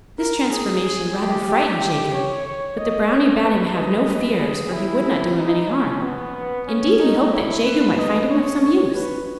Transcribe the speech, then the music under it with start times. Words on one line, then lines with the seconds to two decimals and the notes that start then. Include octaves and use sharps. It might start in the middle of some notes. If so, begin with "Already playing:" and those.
This transformation rather frightened Jegu, but the brownie bade him have no fears, for he would not do him any harm; indeed, he hoped that Jegu might find him of some use.
0.18 A#4
0.51 G#4
1.16 G4
1.48 G4
1.80 G4
2.13 C#5
2.46 C#5
2.78 D#5
3.10 C#5
3.43 B4
3.75 D#5
4.08 B4
4.40 G#4
4.73 E4
5.38 D#4
5.70 C#4
6.02 B3
6.67 C#4
7.00 D#4
7.32 E4
7.64 B4
7.97 D#5
8.30 C#5
8.62 C#5
8.95 B4